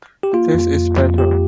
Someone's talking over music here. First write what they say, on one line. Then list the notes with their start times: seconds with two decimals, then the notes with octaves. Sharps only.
This is better.
0.23 G4
0.33 A#3 F4
0.54 F2
0.75 F2
0.97 F2
1.17 F2 G4